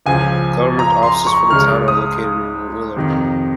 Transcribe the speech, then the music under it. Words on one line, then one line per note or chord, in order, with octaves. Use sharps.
Government offices for the town are located in Willard.
C#2 C#3 F3 G#5
A#5
C6
C#6
C#2 C#3 G#3 F6
D#6
F2 C3 D#3